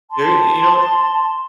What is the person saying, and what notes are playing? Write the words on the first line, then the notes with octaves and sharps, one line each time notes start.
Y and you know
A5 C6